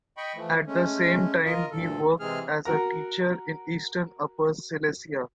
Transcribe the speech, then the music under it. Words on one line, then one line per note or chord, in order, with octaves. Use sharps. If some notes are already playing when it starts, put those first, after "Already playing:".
At the same time, he worked as a teacher in eastern Upper Silesia.
D#5 G5 B5 C#6
E3 F3 A3
G#3 A3 C#4
F4 A#4 D#5
D2 G2 A#2 A4
C3 E3 G#3 C4 G#4 F6
F#4 A#4 A#5